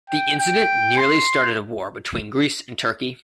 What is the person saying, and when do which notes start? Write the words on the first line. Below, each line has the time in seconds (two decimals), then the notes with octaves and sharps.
The incident nearly started a war between Greece and Turkey.
0.10 G5
0.39 G5
0.98 C6